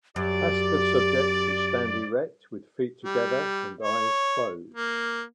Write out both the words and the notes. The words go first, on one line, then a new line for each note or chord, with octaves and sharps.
Ask the subject to stand erect with feet together and eyes closed.
F#2 G4 D5
G3
C#5
A#3